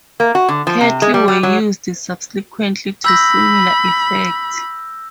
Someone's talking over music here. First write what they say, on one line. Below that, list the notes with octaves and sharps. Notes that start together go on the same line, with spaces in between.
Cattle were used subsequently to similar effect.
A#3
F#4
D3
F3
C3
G#3
G3
G3
F#3
B5 E6 G6 A#6